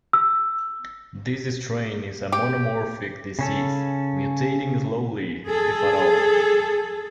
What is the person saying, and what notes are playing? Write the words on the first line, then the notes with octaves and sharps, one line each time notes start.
This strain is a monomorphic disease, mutating slowly if at all.
E6
G4
C#3 C#4 A4
G#4 A4